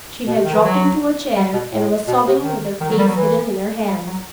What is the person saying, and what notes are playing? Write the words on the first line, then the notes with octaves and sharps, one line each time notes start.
She had dropped into a chair and was sobbing with her face hidden in her hands.
B2
C3
D#3
E3
F#3
G3
B2
A2
B2
C3
D#3
D#3
F#3
G3
F#3
E3
G3
F#3